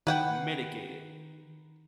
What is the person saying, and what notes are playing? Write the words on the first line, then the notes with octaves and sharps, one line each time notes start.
mitigate it
D#3 B4 F#5 G5